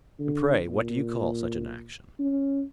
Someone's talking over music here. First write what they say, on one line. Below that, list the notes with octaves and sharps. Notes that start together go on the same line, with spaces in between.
"And pray what do you call such an action?"
D3
A#2
C#4